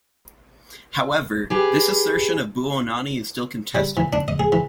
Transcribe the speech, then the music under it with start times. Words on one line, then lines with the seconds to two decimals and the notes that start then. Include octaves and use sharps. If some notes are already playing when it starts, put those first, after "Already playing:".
However, this assertion of Buonanni is still contested.
1.50 G4 G#4 B4
3.75 G3
3.97 E3
4.13 D4
4.28 D#5
4.39 G#4
4.52 E3